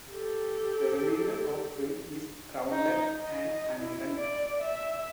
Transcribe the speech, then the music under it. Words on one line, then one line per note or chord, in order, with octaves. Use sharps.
The remainder of rim is rounded and uneven.
G4 A4
D#4
D#5
E4
D5
E5